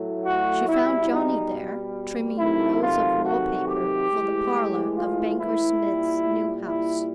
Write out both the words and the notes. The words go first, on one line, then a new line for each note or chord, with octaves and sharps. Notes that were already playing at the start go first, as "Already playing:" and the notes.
She found Johnny there, trimming rolls of wall-paper for the parlor of Banker Smith's new house.
Already playing: A2 F#3 A3
F#4
B2 G3 E4
D#4
C3 D#3 F#3 A3 E4
F4
F#4
G4
A2 E3 G#3
F4
E4
A#2 G3
E4